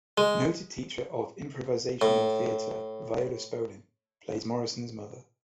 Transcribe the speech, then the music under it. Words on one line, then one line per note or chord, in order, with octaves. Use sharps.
Noted teacher of improvisational theater Viola Spolin plays Morrison's mother.
G#3
A2